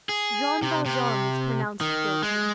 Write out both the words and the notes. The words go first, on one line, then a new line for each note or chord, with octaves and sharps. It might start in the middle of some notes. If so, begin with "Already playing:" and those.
Jean Valjean was pronounced guilty.
G#4
C3
C3
D#3
G#3